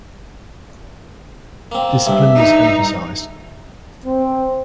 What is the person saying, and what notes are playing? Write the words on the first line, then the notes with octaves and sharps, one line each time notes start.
Discipline was emphasised.
A#3 C4
G2 D4 E5
D#4
C4